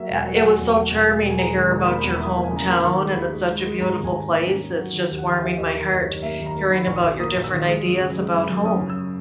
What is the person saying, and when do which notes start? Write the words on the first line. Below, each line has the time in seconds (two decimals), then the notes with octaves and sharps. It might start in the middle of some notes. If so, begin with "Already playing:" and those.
uh, it was so charming to hear about your hometown, and it's such a beautiful place, it's just warming my heart hearing about your different ideas about home.
Already playing: F#3 A#3 E5
0.10 E1
0.17 F#5
0.25 F#3
0.35 F#5
0.42 F#3 G#5
0.58 E2
0.74 F#3
0.90 E1
1.06 G#3
1.22 E1
1.30 G#5
1.39 G#3 A#5
1.55 D#3
1.71 E1
1.86 A#3 B5
1.99 B5
2.03 E2
2.11 B5
2.19 E3 D#6
2.36 A#3
2.44 G#5
2.51 C#3
2.56 A#5
2.67 A#3 B5
2.83 D#3 C#6
2.99 G#3
3.08 B5
3.15 D#2
3.32 G#3
3.48 G#3
3.64 G#3
3.80 G#2 A#5
3.96 D#3
4.04 G#5
4.13 G#2
4.29 A#3
4.46 C#4
4.61 C#4
4.78 F#3
4.93 D#3
5.09 D#2
5.18 F#5
5.26 D#3 G#5
5.41 D#2 E5
5.57 D#2 D#5
5.74 D#3 A#4
5.90 F#1
5.99 C#5
6.06 D#3
6.22 A#3 E5
6.39 D#3
6.46 A#5
6.54 A#3
6.71 D#3 B5
6.87 A#1 C#6
6.96 D#6
7.03 A#1
7.19 A#3 D#6
7.36 A#1
7.44 E6
7.52 D#3
7.67 G#3
7.84 F#2
8.00 C#3
8.17 G#3
8.32 F#2
8.49 F#2
8.64 C#4 D#6
8.81 C#3
8.90 E6